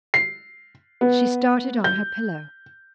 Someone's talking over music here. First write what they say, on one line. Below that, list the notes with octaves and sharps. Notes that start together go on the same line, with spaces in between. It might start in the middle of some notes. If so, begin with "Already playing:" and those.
She started on her pillow.
C7
B3
G6